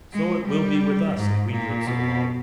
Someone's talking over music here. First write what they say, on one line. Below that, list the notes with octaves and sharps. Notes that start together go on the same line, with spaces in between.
So it will be with us, if we live so long.
G#3
G3
G#2
A#2
B2